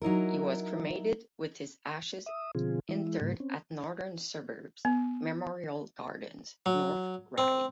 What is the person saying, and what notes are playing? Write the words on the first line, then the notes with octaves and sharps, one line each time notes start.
He was cremated with his ashes interred at Northern Suburbs Memorial Gardens, North Ryde.
F#3 D#4 E4 A#4
E5 D#6
B2 D3 F3 C4 F4 G#4
E3 G#3 E4
G#2 C#3 G3 A#3
C4 C#4
B3
F#3
C4